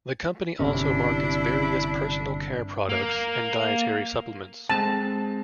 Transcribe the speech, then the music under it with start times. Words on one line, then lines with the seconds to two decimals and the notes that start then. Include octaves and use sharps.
The company also markets various personal care products and dietary supplements.
0.59 G1 C3 C#4 D4 E4
2.89 A#3
4.70 G#3 C4 A5 A#6